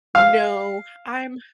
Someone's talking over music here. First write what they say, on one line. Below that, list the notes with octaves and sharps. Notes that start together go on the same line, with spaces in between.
No, I'm
F5